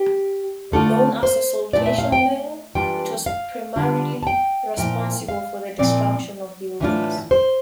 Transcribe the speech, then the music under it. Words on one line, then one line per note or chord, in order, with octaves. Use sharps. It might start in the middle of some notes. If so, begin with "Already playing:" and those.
Known as the saltation layer, it was primarily responsible for the destruction of buildings.
Already playing: G4
D3 A3 D4 F4 A4
C5
A#2 A3 E4 D5
E5
F5
G5
E3 G3 D4 F4 G5
F5
D3 G3 D4 F4
A5
G5
A#2 F3 A#3 E4 G5
F5
A#2 F3 C4 E4 D5
A2 E3 A3 D4 F4
C5